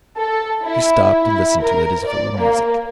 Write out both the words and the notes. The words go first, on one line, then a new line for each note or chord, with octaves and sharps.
She stopped, and listened to it as if it were music.
A4
E4
E4
A#4
D5
A#3